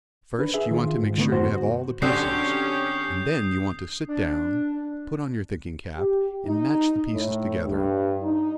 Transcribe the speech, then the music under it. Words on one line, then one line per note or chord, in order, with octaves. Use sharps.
First, you want to make sure you have all the pieces, and then you want to sit down, put on your thinking-cap, and match the pieces together.
D4 B4
G#4 E5
D#3 F4
G#2
D3 A3 B3
F#2 F#4 C5
D3 C4 C#4 F#4 G4 D#6 G6 C7
D4
G4
D#4
A2
G2
D#4